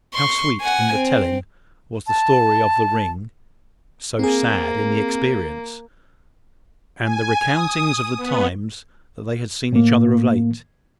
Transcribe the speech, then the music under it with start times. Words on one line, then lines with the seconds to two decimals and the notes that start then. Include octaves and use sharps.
How sweet in the telling was the story of the ring, so sad in the experience! and the recountings of the times that they had seen each other of late.
0.14 C6 C#6
0.61 F#5 G#5
0.94 C4
2.07 A5
4.19 A#3 C4 G#4
7.03 G#5
7.45 D#6
8.17 B3
9.73 A2 A#3